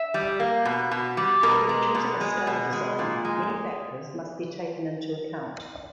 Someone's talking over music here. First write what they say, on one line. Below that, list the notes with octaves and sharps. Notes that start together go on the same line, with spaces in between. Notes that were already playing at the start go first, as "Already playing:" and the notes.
When choosing a study design, many factors must be taken into account.
Already playing: E5
G3
A#3
B2
B2
G3
B2 A#4
G#3
B2
G#3
B2
G#3
A#2
G#3